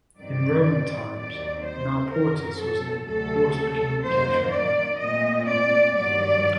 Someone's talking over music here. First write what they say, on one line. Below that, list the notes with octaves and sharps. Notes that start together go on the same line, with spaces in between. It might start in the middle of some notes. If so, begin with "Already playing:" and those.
In Roman times, Nauportus was an important communication point.
G2 D#3 F#3 C4 D5
D#2 D#3 F#3 C4 D5
C5
F#2 F#3 C4 A#4
A4
D2 C3 F#3 A4
F#2 D#3 F#3 A#3 C5
D5
A#2 A3 C4 D#5
D5
G2 D#3 F#3 D5